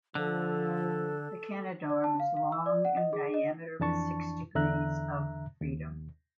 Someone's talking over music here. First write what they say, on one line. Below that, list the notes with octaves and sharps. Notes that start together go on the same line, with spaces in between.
The Canadarm is long and diameter with six degrees of freedom.
D3 F3 A4
D5
A5
F5
F5
E6
D5
F#5
D#5
G#4
D#5
F2 E3 D4 A5 C#6
E2 D3 E5 A#5 F#6
D#2